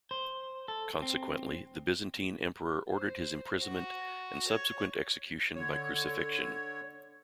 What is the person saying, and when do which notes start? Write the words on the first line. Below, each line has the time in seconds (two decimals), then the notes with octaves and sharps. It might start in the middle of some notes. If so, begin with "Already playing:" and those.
Consequently, the Byzantine emperor ordered his imprisonment and subsequent execution by crucifixion.
0.11 C5
0.68 A4
1.02 C4
2.92 C5
3.62 F#4
4.47 C#5
5.55 D3 C#5